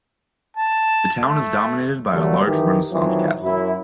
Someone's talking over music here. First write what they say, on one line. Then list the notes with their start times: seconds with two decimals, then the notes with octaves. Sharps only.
The town is dominated by a large Renaissance castle.
0.56 A5
1.20 A3
2.12 D3 F#3 G3 A3 A#3 D4
2.45 D#3 E3 G4
2.90 F2 D#3 E3 F#3
3.42 F#2 E4